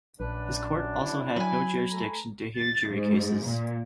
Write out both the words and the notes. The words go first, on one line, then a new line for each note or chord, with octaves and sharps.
His court also had no jurisdiction to hear jury cases.
A#1 F#2 D4 B4
E4
F#3 B4 G#5
A3 A4 A#5
A6
G#2
A#2